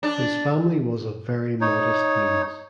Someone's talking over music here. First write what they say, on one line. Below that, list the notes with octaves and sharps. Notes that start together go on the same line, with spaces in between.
His family was of very modest means.
D4
D#4 C#5